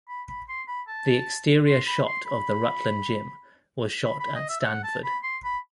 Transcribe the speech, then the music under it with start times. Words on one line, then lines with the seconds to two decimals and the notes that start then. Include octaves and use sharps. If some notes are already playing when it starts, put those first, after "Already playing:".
The exterior shot of the Rutland gym was shot at Stanford.
0.09 B5
0.29 B5
0.49 C6
0.68 B5
0.88 A5
1.67 C6
1.87 B5
2.07 C6
2.26 B5
4.05 B5
4.20 B5
4.35 D#5
4.49 E5
4.60 E5
4.65 F#5
4.84 A5
5.04 B5
5.24 C6
5.44 B5